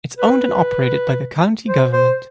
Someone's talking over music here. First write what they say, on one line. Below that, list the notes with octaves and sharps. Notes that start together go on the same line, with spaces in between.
It is owned and operated by the county government.
B4
C5
C5